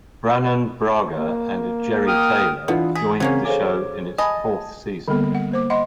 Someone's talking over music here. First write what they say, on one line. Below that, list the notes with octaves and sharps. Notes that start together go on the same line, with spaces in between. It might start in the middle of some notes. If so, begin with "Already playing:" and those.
Brannon Braga and Jeri Taylor joined the show in its fourth season.
A#3
G5 D#6 F6
E3 B3 D4 E4 F4
G#4 B6
C#3 F#3 A#3 C4 C#4 G#4 G#6
G#4 A4 C5 C#5 F5 G#5 D6
D#5 G#5 A5 B5
D3 G3 A#3 B3 A4 B5
G3 F#5
A#3 C5 D6
D#5 F#5 B5 C6